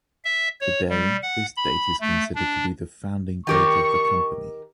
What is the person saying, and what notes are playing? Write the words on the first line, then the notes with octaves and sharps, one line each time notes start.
Today, this date is considered to be the founding date of the company.
E5
C#5
G3
F#5
B5
A3
D4
D#3 G4 A#4 C#6